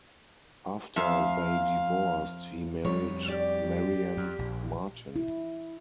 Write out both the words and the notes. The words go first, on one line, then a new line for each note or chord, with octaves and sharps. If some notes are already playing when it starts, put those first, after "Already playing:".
After they divorced, he married Marian Martin.
F2 E5 F5
F2 G3 C#5
G4 D5
F2
A#1
E4